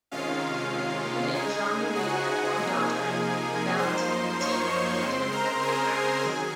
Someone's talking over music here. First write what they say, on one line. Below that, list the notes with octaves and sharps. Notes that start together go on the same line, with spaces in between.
He and Jeanmaire had one daughter, Valentine Petit, a dancer and actress.
C3 D#3 G#3 C#4 F4 F5
C#3 G#3 D#4 G#4 G#5
F#4 F#5
C3 F3 A#3 D#4 G#4 G#5
F#2 F3 A#3 D#4 C5 C6
C#5 C#6
C#5 C#6
C#3 G#3 C4 C5 C6
A#4 A#5
G#4 G#5
D#3 F#3